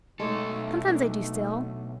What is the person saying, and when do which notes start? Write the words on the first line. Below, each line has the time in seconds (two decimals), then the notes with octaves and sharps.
"Sometimes I do still."
0.20 B1 G#3 A3 D#4 A4 C#5 D5
0.86 A3 D4 A#4